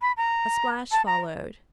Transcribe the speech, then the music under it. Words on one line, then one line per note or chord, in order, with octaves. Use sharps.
A splash followed.
B5
A#5
A5
A#5